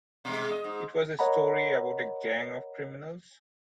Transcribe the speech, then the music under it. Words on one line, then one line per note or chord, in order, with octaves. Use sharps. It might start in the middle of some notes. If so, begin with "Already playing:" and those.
It was a story about a gang of criminals.
B2 G#3
D#5
G#2
A#4 C#5 D#5 F#5 A#5 B5